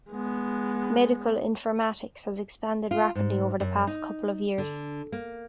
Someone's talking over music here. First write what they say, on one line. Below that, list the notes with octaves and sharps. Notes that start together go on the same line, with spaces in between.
Medical informatics has expanded rapidly over the past couple of years.
G#3 B3
F4
G#2
F#2
D#4
D3
A#3